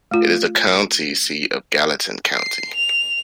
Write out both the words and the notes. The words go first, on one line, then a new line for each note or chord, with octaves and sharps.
It is the county seat of Gallatin County.
A3 F4
C7
F7